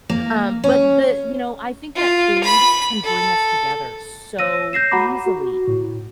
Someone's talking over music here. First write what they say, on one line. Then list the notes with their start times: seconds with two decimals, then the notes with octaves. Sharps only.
Um, but the you know, I think that food can bring us together so easily,
0.10 A#3
0.64 C#4
1.95 F4
2.43 B5
3.04 A4
4.39 C#5 E6 A#6 D#7
4.73 G6 A#6 C7 E7
4.91 F#4 F#5 A#5 B5 D6
5.26 F#4
5.67 A2